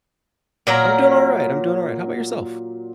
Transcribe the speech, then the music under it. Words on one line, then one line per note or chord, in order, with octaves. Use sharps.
I'm doing alright, I'm doing alright, how 'bout yourself?
A#2 F#3 A#4